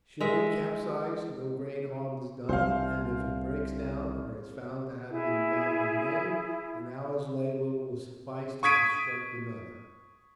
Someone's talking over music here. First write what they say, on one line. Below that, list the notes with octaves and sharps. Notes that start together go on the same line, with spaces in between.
Should it capsize, no great harm is done; and if it breaks down, or is found to have been badly made, an hour's labour will suffice to construct another.
G#3 E5
C2 C5 F5
E4 G#4
C#6 D#6 G#6 B6 D7 D#7